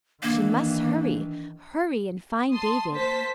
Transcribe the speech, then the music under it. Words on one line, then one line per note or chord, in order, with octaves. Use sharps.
She must hurry--hurry and find David.
D#3 E3 A#3 D4
A5 C6 D#6
A#3 C5 A5 B6